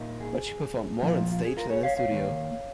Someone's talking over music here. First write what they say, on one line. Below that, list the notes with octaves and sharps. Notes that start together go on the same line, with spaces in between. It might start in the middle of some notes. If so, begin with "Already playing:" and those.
But she performed more in stage than in studio.
Already playing: A#2 A#3 D#4
G#4
A#2 F3 A#3 F4
F4
G#4
F4 A#4
G#4 C#5
C#5 F5
C#5 F5
D#2 C#3 A#3